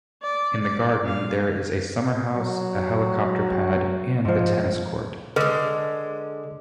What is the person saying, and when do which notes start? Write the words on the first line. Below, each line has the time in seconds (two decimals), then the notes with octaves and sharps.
In the garden there is a summerhouse, a helicopter pad, and a tennis court.
0.22 D5
0.62 D5
1.05 F5
2.36 F#3
4.25 G#2 F3
5.36 D3 G#3 B4 D#5 D6 E6